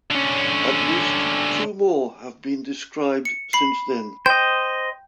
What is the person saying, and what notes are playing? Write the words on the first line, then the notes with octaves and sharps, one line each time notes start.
At least two more have been described since then.
D3 C#4
C#7
B5 C7
C5 D#5 G5 G6